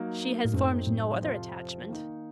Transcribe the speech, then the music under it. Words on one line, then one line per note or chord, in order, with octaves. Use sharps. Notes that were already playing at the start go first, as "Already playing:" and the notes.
'She has formed no other attachment?'
Already playing: F#3 A#3 D#4 A#4
A2
F#2 F#3 A3 C4 D#4
A2
F2 C3 F3 C4 F4
D#3 A#3 D#4